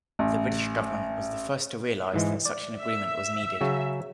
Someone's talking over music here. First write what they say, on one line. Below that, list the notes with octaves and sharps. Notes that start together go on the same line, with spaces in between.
The British Government was the first to realize that such an agreement was needed.
A1
G#2 E3 G#3
D5
E5
C#3 F#3 C#4